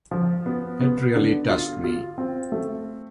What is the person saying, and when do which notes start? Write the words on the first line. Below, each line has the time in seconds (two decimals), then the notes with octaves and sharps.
It really touched me.
0.11 F3
0.46 B3
0.80 B3
1.16 D3
1.49 F4
1.84 F4
2.18 C4
2.52 A3